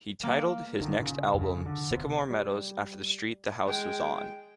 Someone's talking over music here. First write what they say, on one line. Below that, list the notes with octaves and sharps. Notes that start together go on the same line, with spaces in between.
He titled his next album "Sycamore Meadows" after the street the house was on.
A#3
D3 D#3
A#2 C#3
F2 C#3
D3
D#1 C3 B3
G3
G#3 G5